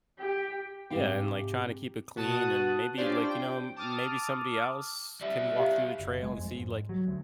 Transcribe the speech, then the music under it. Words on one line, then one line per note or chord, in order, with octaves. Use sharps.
Yeah, and, like, trying to keep it clean and maybe, like, you know, m maybe somebody else can walk through the trail and see, like,
G4
G#2 C3 A3 G4 F5 G5
B2 F#4 A5 D#6 F#6
C#4 D4 F4 G4 C5 D5
G5
A5 D6 D#6 F6
G3 E4
G4 E5 F5
F#1
G#3
F2
G#2
F#3
D2